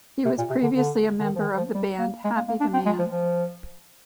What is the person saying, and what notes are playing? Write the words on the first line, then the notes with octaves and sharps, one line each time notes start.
He was previously a member of the band Happy the Man.
C3
A#2
C3
D3
D3
D3
D#3
F3
D#3
F3
G3
A#3
G#3
A#3
A#3
D4
C4
G#3
F3
F3